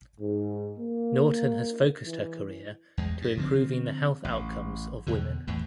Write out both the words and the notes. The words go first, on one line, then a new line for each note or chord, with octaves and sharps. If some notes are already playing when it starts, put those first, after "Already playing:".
Norton has focused her career to improving the health outcomes of women.
G#2
A#3
E3
E2 G#3
G2
D3 F3 G#3 C4
A1
E2 B2 D3
E2 A2 E3